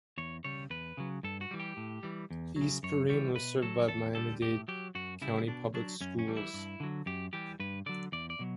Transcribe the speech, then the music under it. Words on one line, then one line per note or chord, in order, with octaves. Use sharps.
East Perrine was served by Miami-Dade County Public Schools.
E2 C#5
C#3 G3 C#5
E2 B4
C#3 F#3
G2 A4
F#4
E3 G3
G4
A2
E3 G3
E2
F#3
C#3
F#2 C#5
E3 G3 C#5
B2 B4
F#3 A4
E2 A4
D3 G3 A4
A2 G4
F#3 G4
F#2 F#4
C#3 G3 E4
B2 D4
F#3 D4
F#2 C#4
C#4
E3 G3
E4
G2
D3 F#3
F#2 G4
E3 G3 G4
G2 B4
D3 F#3 D5
E2 D5
D5
B2 F#3